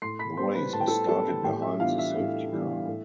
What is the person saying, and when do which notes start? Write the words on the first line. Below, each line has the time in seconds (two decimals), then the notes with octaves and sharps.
The race was started behind the safety car.
0.02 A2 C6 C7
0.19 B5 B6
0.37 G3 B3 C5 C6
0.55 B4 B5
0.73 A2 A5
0.80 G5
0.87 A4 A5
1.08 G3 B3 A4 A5
1.44 A2 G4 G5
1.62 E5
1.80 E3 G3 B3 D4 F4 F5
1.99 E5
2.16 A2
2.52 E3 G3 B3 D4
2.87 A2